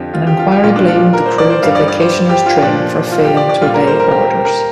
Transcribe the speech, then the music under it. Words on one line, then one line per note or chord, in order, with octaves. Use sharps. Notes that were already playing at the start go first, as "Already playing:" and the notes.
An inquiry blamed the crew of the vacationers' train for failing to obey orders.
Already playing: F2 D3 F3 G4
F4
G4
F4
G4
A#2 G3 F4
D4
F4
A#4
C5
D5
C5
G2 G3 F5
D5
D5
C5
G4
F4
A#2 F3 D4
F4
G4
D5
D5
A#2 G3 F4
A#4
C5
A#4
G4
A#4
A#4